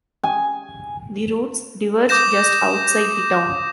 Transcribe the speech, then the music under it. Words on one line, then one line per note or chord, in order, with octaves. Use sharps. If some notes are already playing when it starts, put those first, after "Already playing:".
The routes diverge just outside the town.
G#5
D6 D#6 G6 A#6 E7